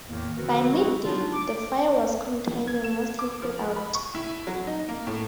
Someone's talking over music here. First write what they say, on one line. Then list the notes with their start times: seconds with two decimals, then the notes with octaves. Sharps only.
By mid-day, the fire was contained and mostly put out.
0.07 E2 A2 D#3 A#3
0.38 D3 F3 C4 F#4 A#4 B4
0.71 F#3 G#3 C4 E4 F#4
1.04 F#3 B3 D4 D#4 F4
1.33 D6
2.67 G#6
2.84 E7
3.19 D6
3.42 F3
3.76 B5
3.95 C#6
4.15 E4
4.47 F#3
4.67 D#4
4.89 A#3
5.07 A2